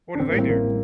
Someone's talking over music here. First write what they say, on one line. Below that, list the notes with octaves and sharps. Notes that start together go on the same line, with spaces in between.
What do they do?
D4
A1 C4
A#3
A2 G3 C4
A1 A#3
A2 G3